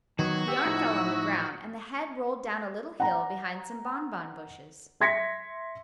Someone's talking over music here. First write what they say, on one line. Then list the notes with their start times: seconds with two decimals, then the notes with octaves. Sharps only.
The arm fell on the ground and the head rolled down a little hill behind some bonbon bushes.
0.19 D#3 F#3 B3 F#4 G#6
0.48 G4 E6
0.65 A2 F3 D#4 E4
3.00 F#5 A#5
5.00 E5 C6 G#6 A#6 B6 C#7